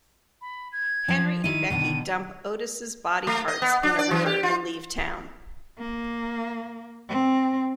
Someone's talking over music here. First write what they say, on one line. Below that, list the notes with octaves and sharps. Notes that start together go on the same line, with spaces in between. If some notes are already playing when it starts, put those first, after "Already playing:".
Henry and Becky dump Otis' body parts in a river and leave town.
B5
G#6
F3
D#3 E4 D#7
B2 D3 D#3
A3
D#5
B3
D4
D5
E3
G4
F4
A#3
C4